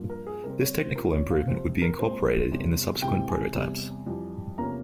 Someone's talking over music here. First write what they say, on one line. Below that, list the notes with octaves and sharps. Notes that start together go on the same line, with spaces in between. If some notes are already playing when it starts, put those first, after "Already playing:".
This technical improvement would be incorporated in the subsequent prototypes.
Already playing: G2 F3 A#3
A#4
G#4
C3 G3 C4 A#4
C#5
C5
C#3 F3 C4 A#4
C#5
F5
F2 C3 F3 C5
A#4
A#2 G#3 C4 C5
E2 C3 G3 C#4
C3 E3 G#3 C4 G5
G#5
E2 C3 G3
F2 E3 G3
E2 C3 F3 A#3 C#4 A#5